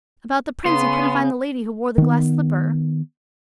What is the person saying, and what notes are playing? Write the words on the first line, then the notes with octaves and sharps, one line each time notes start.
"About the prince who couldn't find the lady who wore the glass slipper."
C#3 B3 C6
D#3 B3